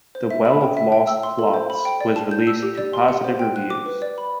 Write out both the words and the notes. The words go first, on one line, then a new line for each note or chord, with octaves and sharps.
"The Well of Lost Plots" was released to positive reviews.
C5
E5
B5
G5
E5
G5
E6
C6
A4
C5
B5
G5
D5
A5
G6
E6
G4
D5
C6
F#5
C5
G5
F#6
D6
B4
D5
B5